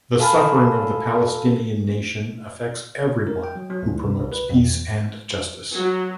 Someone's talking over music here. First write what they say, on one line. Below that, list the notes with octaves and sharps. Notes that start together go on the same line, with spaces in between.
The suffering of the Palestinian nation affects everyone, who promotes peace and justice.
A4 F5 G#5 A5 B5 F6
A#4
G5
F#3
F#3
D2
C3
C2
B4
F2
E2
F#3